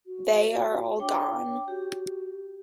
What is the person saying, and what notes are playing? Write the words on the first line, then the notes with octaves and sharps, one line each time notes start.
They are all gone.
F#4
D4 C#5 G5 D6
F#4 G4